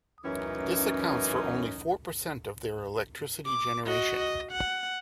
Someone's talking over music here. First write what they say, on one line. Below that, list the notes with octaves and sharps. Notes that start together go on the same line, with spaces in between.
This accounts for only four percent of their electricity generation.
F#2 A2 E3 C#4 D#4
D6
F#4 D#5
D#5
F#5